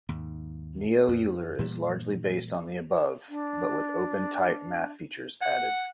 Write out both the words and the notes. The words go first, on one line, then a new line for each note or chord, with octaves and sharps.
Neo Euler is largely based on the above, but with OpenType math features added.
D#2 G#2
F2
A#2 E3 G3
D4
F#5